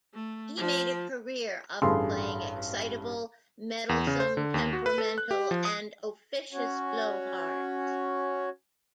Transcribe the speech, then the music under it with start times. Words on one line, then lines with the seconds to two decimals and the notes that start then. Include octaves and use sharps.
He made a career of playing excitable, meddlesome, temperamental, and officious blowhards.
0.14 A3
0.57 F3
1.82 A1 G2 G#4 A4 C6
3.89 E2
4.07 C#3
4.20 C5
4.37 D3
4.54 D#2
4.73 F#4
4.86 B4
4.98 A4
5.18 F#6
5.31 G4
5.51 F3
5.65 D#6
6.53 C#4 F#4 C#5